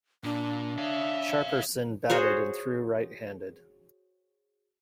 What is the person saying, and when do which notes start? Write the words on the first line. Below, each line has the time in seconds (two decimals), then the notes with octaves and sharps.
Sharperson batted and threw right-handed.
0.24 A#2 D4
0.78 C#5 E5 F5
2.10 F#4 G#4 C5 C#5